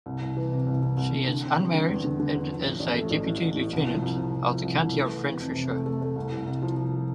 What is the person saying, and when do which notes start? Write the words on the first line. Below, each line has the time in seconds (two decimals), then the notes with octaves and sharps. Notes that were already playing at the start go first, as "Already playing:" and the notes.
She is unmarried and is a Deputy Lieutenant of the County of Renfrewshire.
0.06 C2
0.21 C2
0.37 E3
0.52 C3
0.66 C2
0.82 C2
0.97 C2
1.13 C2
1.28 D3
1.43 C4
1.58 G3
1.73 D3
1.89 E2
2.05 D3
2.20 D3
2.35 E2
2.50 F3
2.65 A2
2.80 A1
2.96 A3
3.11 A1
3.26 A2
3.41 A1
3.56 A2
3.73 C2
3.88 F3
4.02 C2
4.17 F3
4.34 F3
4.49 F3
4.63 C2
4.79 C2
4.94 A3
5.09 E3
5.24 E3
5.40 F2
5.55 C3
5.70 A3
5.86 A3
6.02 A3
6.16 C2
6.32 C2
6.46 C2
6.62 F3
6.77 F3